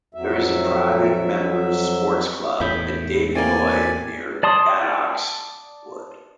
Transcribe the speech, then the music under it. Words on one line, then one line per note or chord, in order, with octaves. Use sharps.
There is a private member's sports club at David Lloyd near Badock's Wood.
F2 F#3 E5
E2 A2 B5 G6 B6
A3 A#3 C4 D5 G#5
D5 A5 C6 D#6